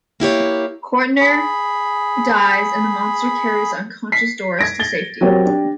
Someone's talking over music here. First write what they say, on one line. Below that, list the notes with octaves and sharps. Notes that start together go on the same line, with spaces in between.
Cortner dies, and the monster carries the unconscious Doris to safety.
A#3 E4 G4 C#5
G#4 B5
B6 C7
G#6 A#6 D7
A6 G7
F#3 C4 F#4 G4 A#4 C#5
D4 G4